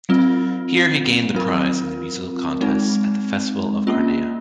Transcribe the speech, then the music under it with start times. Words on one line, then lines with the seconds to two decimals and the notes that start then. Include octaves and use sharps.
Here he gained the prize in the musical contests at the festival of Carnea.
0.09 F#3 C4 F4
1.35 F#3 C4 F4 A#4
2.61 G#3 C4 D#4
3.87 A#3 C#4 F4